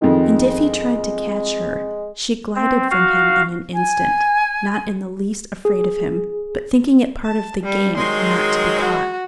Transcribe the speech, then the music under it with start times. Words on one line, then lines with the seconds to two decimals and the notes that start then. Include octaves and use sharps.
And if he tried to catch her, she glided from him in an instant, not in the least afraid of him, but thinking it part of the game not to be caught.
0.02 F2 D#3 G#3
2.56 C4
2.91 F#4 F5
3.73 G#5
5.65 G#4
7.25 A5
7.63 G3
7.97 D#3 F#3 G#3 C6
8.78 F#4